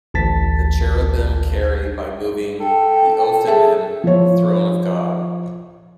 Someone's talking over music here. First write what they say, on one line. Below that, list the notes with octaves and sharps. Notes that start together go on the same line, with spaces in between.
The cherubim carry, by moving the Ophanim, the throne of God.
A1 D2 A5 A6 B6
A4 G5
G#4 E5 A5
F3 C#5